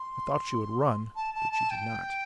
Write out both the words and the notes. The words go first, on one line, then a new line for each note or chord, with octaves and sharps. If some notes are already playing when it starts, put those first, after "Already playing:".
I thought she would run, but she did not.
Already playing: C6
A5
A5
A5
G5